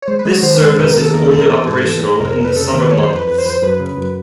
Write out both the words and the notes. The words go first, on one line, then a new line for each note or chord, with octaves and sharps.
This service is only operational in the summer months.
C#5
G#3 C5
B4
G#3
F#4
D#3 C5
B4
G#3
C5
E1 B4
A#4
D#2
A4
D#2 A#4
A4
E1
A#4
E3 A4
G#2
E3
G#2
F1 A#4
A#4
F1
B4
C#3 A4
A#4
D#2
B4
F2 C#5
C5
F2
B4
F2 B4
C5
F2 B4 C5
F#2 B4
C#3
F#2